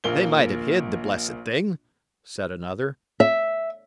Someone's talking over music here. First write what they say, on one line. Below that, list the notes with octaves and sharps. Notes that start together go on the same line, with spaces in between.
"They might have hid the blessed thing," said another.
A#1 A#3 G7
E5